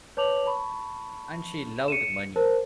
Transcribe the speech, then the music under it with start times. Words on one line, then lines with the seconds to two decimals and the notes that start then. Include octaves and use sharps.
And she loved money.
0.17 B4 C#5 A5 D6 F7 F#7
0.46 A5 B5 C#6
1.88 C#7 D#7 E7
2.36 A#4 C5 A5